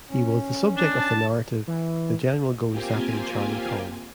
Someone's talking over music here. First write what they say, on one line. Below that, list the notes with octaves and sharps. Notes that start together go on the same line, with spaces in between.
He was the subject of the narrative "The General Goes Zapping Charlie Cong".
C#4
D4 E7
A5
E3
A#3 C4 F4 G4 G#5